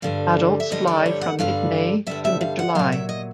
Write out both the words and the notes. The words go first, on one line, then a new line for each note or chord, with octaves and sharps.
Adults fly from mid May to mid July.
G2 D3 G3 F5
E5
G2 D3 G3 D#5
D5
C#5
F#5
G2 D3 G3 F5
G2 D3 G3 E5
E5
F5
F#5
A#2 F#3 F5
E5
D#5